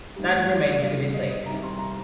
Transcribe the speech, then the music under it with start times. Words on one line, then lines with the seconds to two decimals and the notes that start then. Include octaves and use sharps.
That remains to be seen.
0.16 A1 G2 D#3 G3
0.82 G1 G2 D3 G3 F5
0.97 F5
1.14 D#5
1.30 D#5
1.46 C2 C3 D#3 G3 A#5
1.63 C6
1.79 A#5